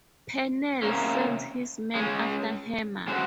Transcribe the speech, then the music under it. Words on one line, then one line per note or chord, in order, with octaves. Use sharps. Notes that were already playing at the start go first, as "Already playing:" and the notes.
Pennell sends his men after Hammer.
C3 D#3 A#3 C#4
G#3 C#4 G#4
G#3 C#4 F#4 C5